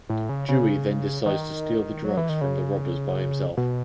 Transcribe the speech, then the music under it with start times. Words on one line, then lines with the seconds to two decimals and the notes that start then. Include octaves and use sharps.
Dewey then decides to steal the drugs from the robbers by himself.
0.10 A2
0.29 C#3
0.49 C#3
1.26 D#3
2.05 F#3
2.17 E3
2.29 D#3
2.41 C#3
3.57 B2